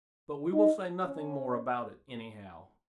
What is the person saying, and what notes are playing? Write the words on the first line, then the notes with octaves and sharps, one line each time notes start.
But we will say nothing more about it, anyhow.
D#4
C#4